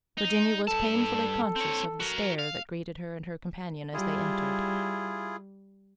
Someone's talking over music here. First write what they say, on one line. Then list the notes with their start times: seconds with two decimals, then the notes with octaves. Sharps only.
Virginia was painfully conscious of the stare that greeted her and her companion as they entered.
0.18 D#4
0.67 G2 A4 A5
1.56 C4 C#5
2.00 F#4 A#4
2.39 F5
3.94 G3 E4 F4 G#4